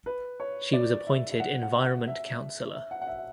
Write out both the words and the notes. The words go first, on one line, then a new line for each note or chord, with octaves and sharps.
She was appointed environment counselor.
B4
C#5
D5
E5
E5
F#5
F#5
F#5
E5
E5
F#5
F#5
E5